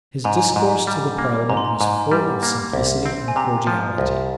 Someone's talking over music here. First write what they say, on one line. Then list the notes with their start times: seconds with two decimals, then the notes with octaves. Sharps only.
His discourse to the parliament was full of simplicity and cordiality.
0.24 G#2 A#5
0.37 G#5
0.49 A#5
0.56 G#2
0.87 G3
1.18 A#3
1.49 G#2 A#5
1.57 C6
1.65 A#5
1.81 G#2
2.12 G3
2.43 A#3
2.73 C2
3.06 C4
3.28 G#5
3.36 C3 A#5
3.67 F3
3.98 C2